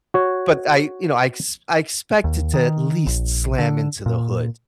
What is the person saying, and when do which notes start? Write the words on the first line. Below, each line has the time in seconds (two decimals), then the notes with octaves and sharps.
But I you know, I ex I expected to at least slam into the hood.
0.14 F#4 C#5
2.24 D#2
2.54 D#3
3.06 A#1
3.59 D3
4.06 A#2